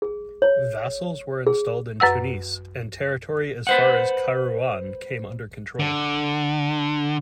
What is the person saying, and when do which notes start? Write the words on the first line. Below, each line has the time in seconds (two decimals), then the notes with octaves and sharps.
Vassals were installed in Tunis and territory as far as Kairouan came under control.
0.02 G#4
0.42 C#5
1.47 G#4
2.00 F#2 B4 F#5 E6
3.67 B4 C5 F#5
5.79 D3